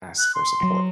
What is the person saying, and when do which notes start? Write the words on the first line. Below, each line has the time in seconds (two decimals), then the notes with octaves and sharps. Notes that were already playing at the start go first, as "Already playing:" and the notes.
ask for support."
0.18 F#6
0.35 C6
0.63 F#3